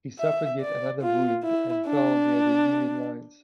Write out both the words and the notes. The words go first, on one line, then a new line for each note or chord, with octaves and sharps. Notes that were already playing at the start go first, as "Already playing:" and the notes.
He suffered yet another wound, and fell near the Union lines.
E5
D5
F4
E4
D4